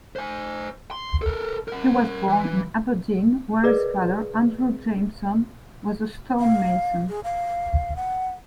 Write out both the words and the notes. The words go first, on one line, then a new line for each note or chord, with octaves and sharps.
He was born in Aberdeen, where his father, Andrew Jamesone, was a stonemason.
C5 G#5
C6
A4 A#4
A#4 F#5
E3
G#4 A#4 B4 D5 D#5
F5
G#4
F5
F#5